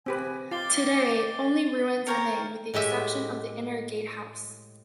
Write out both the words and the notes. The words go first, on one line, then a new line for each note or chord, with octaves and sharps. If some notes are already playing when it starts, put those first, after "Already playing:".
Today only ruins remain with the exception of the Inner Gatehouse.
C#3 C4 G4 B4 G#5
F4 D#5 G5 D6 A6 C7 G7
A#4 C5 C#5 G5 A#5 F6 G6 C#7
A2 G#3 G4 E5